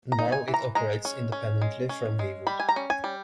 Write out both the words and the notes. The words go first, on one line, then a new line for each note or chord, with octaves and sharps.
Now it operates independently from Vivo.
A#5
D#4
G#5
E3
A#5
G#3 A#5
C#4
C#4
G#3
C#4
G#3
G3 B5
G#5
A#5
C#4
G#5
G3